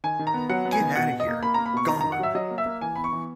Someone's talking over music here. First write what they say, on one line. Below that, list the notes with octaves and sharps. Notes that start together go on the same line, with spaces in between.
Get outta here - gone!
D#3 G#5
D#3
A#5
B3
F#3 F#5
B3
G#5
D#3
B2 F#5
B2
D#5
A#3
A#3 B5
A#5
A#3
B5
B2 C#6
D#3 A#5
D#3 A#5
F#5
F#3 E5
F#3 D#5
A#3
E5
A#3
E3 G#5
B3 B5
C#6
E3